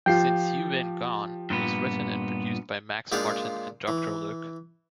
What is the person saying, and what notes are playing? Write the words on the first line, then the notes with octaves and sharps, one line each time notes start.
"Since U Been Gone" was written and produced by Max Martin and Doctor Luke.
F3 F4 G4 G5 C7
G2 A#2 B3
A#2 G#3 D4 F4 C5 F5
E3